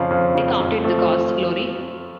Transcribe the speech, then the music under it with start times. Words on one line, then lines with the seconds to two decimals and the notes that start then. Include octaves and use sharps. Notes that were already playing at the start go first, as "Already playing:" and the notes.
I counted the cost, Lori.
Already playing: F2 C#3 F3
0.10 F2
0.34 C#3 F3
0.59 F2
0.84 F3 A3